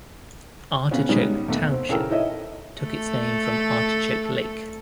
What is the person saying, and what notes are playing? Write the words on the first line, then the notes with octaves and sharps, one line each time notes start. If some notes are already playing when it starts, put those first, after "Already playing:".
Artichoke Township took its name from Artichoke Lake.
C#3 B3 C#4
D#3 G3 G#3 B3 C#4 D#4
D#2 A3 B3
C4
C#3 E3 A4 A#4 G5 E6
D#4 E4 A4 C#5 D#5 E5
A3 A4